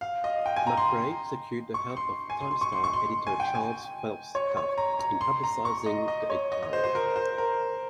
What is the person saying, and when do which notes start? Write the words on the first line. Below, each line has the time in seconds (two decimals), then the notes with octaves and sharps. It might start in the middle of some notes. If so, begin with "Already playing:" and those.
McRae secured the help of "Times-Star" editor Charles Phelps Taft in publicizing the editorial.
0.01 F5
0.24 D#5
0.46 G5
0.56 G#5
0.67 A#5
0.77 C6
1.74 C#6
1.97 C6
2.30 G#5
2.40 C6
2.51 C6
2.61 C#6
2.72 C6
2.84 C#6
2.93 C6
3.27 G#5
3.40 G5
3.55 G#5
4.35 C#5
4.57 C#5
4.78 A#5
4.99 A#5
5.21 C6
5.44 A#5
5.65 C#6
5.86 D#5
6.08 D#5
6.30 C#5
6.52 D#5
6.63 D#5
6.73 C5
6.84 C5
6.95 A#4
7.16 C5
7.38 A#4